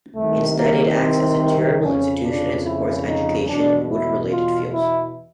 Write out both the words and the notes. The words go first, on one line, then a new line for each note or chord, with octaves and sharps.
Instead, it acts as a charitable institution and supports education in wood-related fields.
C2 C3 D#3 A3
A#3
C4
F2 C#3 F3 C#4
D4
E4
D#4
E2 B2 D4
E4
F4
E4